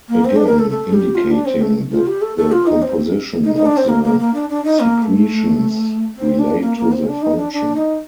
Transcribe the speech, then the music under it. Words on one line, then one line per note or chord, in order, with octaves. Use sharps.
Again, indicating that the composition of the secretions relate to the function.
A#3
C4
D4
A#4
A4
A4
G4
F4
D4
C4
A3
F4
G4
A4
A4
F4
D#4
C4
D#4
D#4
D4
C4
A#3
A#3
A#3
D4
D4
D#4
A#3
A3
C4
D4
A#3
A#3
C4
D4
D#4
D4
D4
D#4